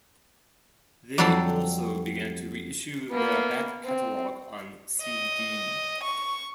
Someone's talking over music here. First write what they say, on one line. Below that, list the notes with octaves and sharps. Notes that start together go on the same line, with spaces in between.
They also began to reissue their back catalogue on cd.
F2 F#3 G3 C4 A4 C6
A#3 B3
C4
D#5
C#6